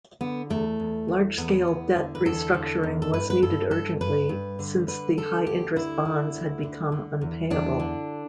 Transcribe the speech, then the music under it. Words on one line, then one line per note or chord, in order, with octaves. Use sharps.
Large-scale debt restructuring was needed urgently, since the high-interest bonds had become unpayable.
D3 B3
E2 A3
E2
E2
E2 B3
E2
D3
B4
E2 A4
D3
E2
A4
G2 B4
B4
G2 A4
G2 A4
G2 B4
G2
D3
D3 B4
D3 A4
D2 G4
D3 E4
D3
D2
D3
D3
E2
E2 D4
D3